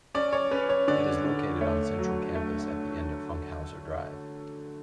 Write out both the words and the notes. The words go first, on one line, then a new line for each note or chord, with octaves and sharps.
It is located on central campus at the end of Funkhouser Drive.
C#4 D5
C#5
C#4 B4
C#5
D3 D5
D3
A3 C#5
F#3
A3